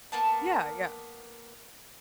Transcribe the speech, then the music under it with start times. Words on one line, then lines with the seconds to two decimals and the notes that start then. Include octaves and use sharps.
Yeah, yeah.
0.12 A#3 B3 A5